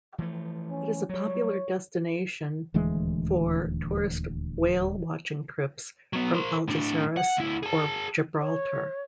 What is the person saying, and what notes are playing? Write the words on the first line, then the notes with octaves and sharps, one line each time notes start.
It is a popular destination for tourist whale-watching trips from Algeciras or Gibraltar.
E3 F3 A3
C#4
F#3 G3 C#5
D#1 D2 E3 G#3
F#3 B3
A#4 C5
A2 D4
F#5
D2 E4
G#4 A5
C#5